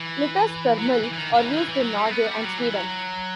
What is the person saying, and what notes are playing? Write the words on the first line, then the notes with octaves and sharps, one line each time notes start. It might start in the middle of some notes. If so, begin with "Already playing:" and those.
Litres per mil are used in Norway and Sweden.
Already playing: E3
F#3
E3
E3
E3
D#3
D#3
F#3
E3
D#3
E3
E3
F#3
G3
C4
B3
G3
F#3
E3
F#3